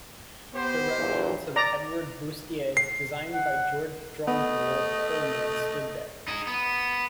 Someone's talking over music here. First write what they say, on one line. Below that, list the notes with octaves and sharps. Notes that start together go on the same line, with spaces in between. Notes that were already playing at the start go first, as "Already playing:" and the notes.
The residence of Edward Boustead designed by George Drumgoole Coleman stood there.
B3 G4 C5
E2 G2 A#2
D5 A#5
C7
F#5
A3 B3 D#5
D#4 G#4
B3